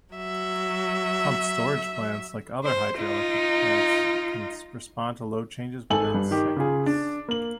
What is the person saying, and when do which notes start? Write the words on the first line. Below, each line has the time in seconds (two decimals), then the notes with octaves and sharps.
Pumped storage plants, like other hydroelectric plants, can respond to load changes within seconds.
0.15 F#3 E5
2.64 C5
2.99 D#4 F4
5.90 G#1 A4 G#5 F#7
6.14 G2
6.31 D#3 G4
6.56 C#3 F4 G#4
6.86 D4
7.28 A#3 F#7